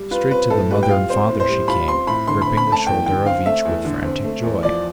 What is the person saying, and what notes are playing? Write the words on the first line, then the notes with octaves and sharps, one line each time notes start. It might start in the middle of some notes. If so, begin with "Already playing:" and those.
Straight to the mother and father she came, gripping the shoulder of each with frantic joy.
Already playing: G3
F4 B4
C4 B4
A2 A4
G3 B4
G5
F4 F5
C4 C5
A2
C5
G3
F4 B5
C4 C6
A2 B5
D3 C6
B5
C4
B5
A3
A5
E2 G5
D3 G5
C4 F5
A3 E5
E2
D3
C4
A3
E2
F3 D5